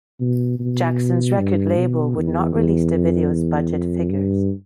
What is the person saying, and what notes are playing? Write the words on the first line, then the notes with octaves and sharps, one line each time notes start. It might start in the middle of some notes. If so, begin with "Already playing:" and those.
Jackson's record label would not release the video's budget figures.
B2
B2
G2
B2
E2
E2
F2
E2
F2
G2